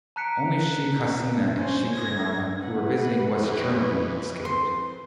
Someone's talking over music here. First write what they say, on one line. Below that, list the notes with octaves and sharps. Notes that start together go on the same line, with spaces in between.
Only Sheikh Hasina and Sheikh Rehana, who were visiting West Germany, escaped.
A5 A#5 F#6 B6 C#7 D7
C#4 C5
G#6 A#6
E3 B4 F#5
F2 G4 C#5
C4 C6